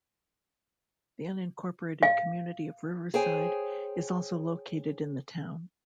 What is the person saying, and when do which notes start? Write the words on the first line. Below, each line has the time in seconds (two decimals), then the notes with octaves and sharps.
The unincorporated community of Riverside is also located in the town.
2.03 F5
3.14 G#4 C5 C#5 G5 G#5